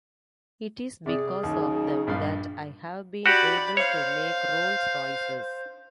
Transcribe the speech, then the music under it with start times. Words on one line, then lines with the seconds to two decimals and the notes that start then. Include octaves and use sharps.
It is because of them that I have been able to make Rolls Royces.
1.06 C3 G#4 D5
1.44 D#2 C#3 F#3 D#4
2.07 A#1 G2 F5
3.26 F#4 G4 D5 B5
3.77 C5 C#5 F5